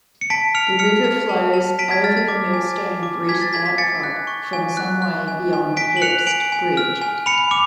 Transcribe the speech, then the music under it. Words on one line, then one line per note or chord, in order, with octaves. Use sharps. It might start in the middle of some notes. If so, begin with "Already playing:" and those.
The river flows over the Millstone Grit outcrop from some way beyond Hepste Bridge.
C#7
A5 B6 D7
F6 C#7 F7
F6 C#7 F7
F6
A5
A5
A5 B6 D7
G#6 B6
F6 A6
A6
D6
G#5
G#5
D6
G#5 G#6 B6
A6
G#5 G#6 B6
G#6 B6
G#5 A6 C#7
F#6
C#6
G#5
F#6
F#6
G#5
G#5
G#5 B6 D7
F#7
F#6 C#7 F7
G#5 D7 F#7
G#5
F6
G#5
B5 C#7 F7
D6 C#7 F7